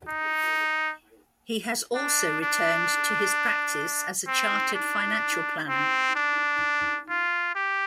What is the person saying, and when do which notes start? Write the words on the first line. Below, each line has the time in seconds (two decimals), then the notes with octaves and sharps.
He has also returned to his practice as a chartered financial planner.
0.08 D#4
1.95 D4
2.42 D4
4.28 C4
4.75 D4
5.69 C4
6.16 D4
7.09 F4
7.56 G4